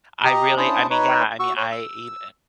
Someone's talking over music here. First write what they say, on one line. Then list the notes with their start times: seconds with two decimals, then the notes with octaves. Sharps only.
I really I mean, yeah, I mean I even
0.24 G4 D#5 A#5
0.57 C#4 D4 E4 C5 A5 D#6
0.90 D#4 B4 C#5
1.39 F#4 C#6 E6
1.57 C#5
1.72 E6